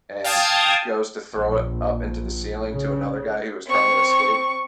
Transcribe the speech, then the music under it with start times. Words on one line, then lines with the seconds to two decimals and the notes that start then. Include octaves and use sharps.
and goes to throw it up into the ceiling to another guy who was trying to escape,
0.24 F5 G5 A5 D#6 G#6
1.35 A#1
2.71 C#3
3.67 C4 C#6